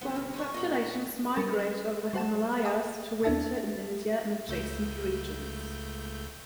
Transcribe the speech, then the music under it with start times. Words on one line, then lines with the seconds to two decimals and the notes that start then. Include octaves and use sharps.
Both populations migrate over the Himalayas to winter in India and adjacent regions.
0.01 G1 B3 C5
0.16 B2
0.34 C#4 C5 C#5
0.54 A#2 D#4 F#4
1.37 G3 A#4 A6
1.54 B4
2.13 G3 F#4 C5 F#5 A5 E7
2.65 F5 G5 A5 D6 D#6
3.23 D#2 D4 E4 E5 A5 A6
4.48 C#2 A3 G6